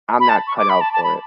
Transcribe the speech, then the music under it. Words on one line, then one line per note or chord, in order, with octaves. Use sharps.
I'm not cut out for it.
B5
A5
C#6
D6
B5
A5
A5
B5